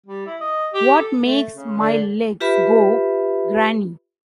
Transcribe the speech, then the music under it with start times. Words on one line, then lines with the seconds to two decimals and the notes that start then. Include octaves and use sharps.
What makes my legs go, granny?
0.06 G3
0.26 E4
0.40 D#5
0.73 G4
0.96 A4
1.22 A3
1.53 C#3
1.78 D3
2.40 F4 G4 B4 E5 B5